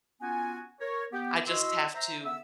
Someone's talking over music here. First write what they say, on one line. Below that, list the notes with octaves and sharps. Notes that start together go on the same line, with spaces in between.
I just have to
B3 C#4 F4 F#4 G#5
A#4 C#5
B3 G4
E4 F#4 D#5 C6 E6
C5 E5 A#5
B3 E5 E6